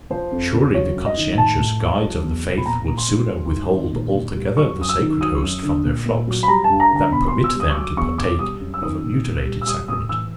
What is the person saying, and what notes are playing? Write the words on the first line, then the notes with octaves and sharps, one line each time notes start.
Surely the conscientious guides of the faith would sooner withhold altogether the Sacred Host from their flocks than permit them to partake of a mutilated Sacrament.
F3 C5
F2
C#3
F#3 C#5
F#2
D#5
D#3
A2 A5
A2
F3
F#3
E2
B2
B5
A#2 A#5
A#2
C6
F3
F#3
G#2
D#3
A#2
A#2
G3
F#3 C#6
F#2 D#6
E6
D#3
F#3 D#6
F#2
D3
A#2
A#2
F#3
B5
G3 A#5
A5
G2
A#5
D3 A#5
B2 B5
C6
B2
E6
G3
D#6
C#6
F#3 D6
E2 C#6
B2 D6
G3 D#6
F#2
E6
D#3 D#6
A#2
A#2
G3
E6
G3 D#6
A2 D#6
E3 E6